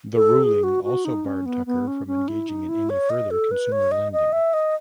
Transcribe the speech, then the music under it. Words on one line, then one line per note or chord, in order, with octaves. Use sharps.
The ruling also barred Tucker from engaging in any further consumer lending.
A4
G#4
F#4
F#4
D#4
C#4
B3
B3
C#4
C#4
E4
D#4
E4
C#5
D#5
A4
B4
C#5
D#5
D#5
E5
D#5